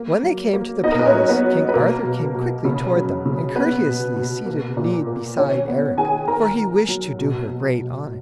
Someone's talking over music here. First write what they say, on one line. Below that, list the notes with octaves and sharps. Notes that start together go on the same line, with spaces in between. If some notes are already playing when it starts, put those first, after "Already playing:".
When they came to the palace, King Arthur came quickly toward them, and courteously seated Enide beside Erec; for he wished to do her great honour.
Already playing: A#3
F#3
A#3
B3 D#4 D#5
A#4
B4
C#4 C#5
F#3
B3 B4
F#3
B4
B2 A#3 A#4
B2
B2
C#3
F#3
C#3
B3 B4
B2
B2
A#3
A#2
A#3
D#3 C#4 C#5
B3
D#3 G#4 G#5
D#3 A#4 A#5
D#3
F#3
B2
B2
B2